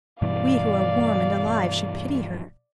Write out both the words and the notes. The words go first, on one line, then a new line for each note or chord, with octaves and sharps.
We who are warm and alive should pity her.
G2 B2 E3 D5 F5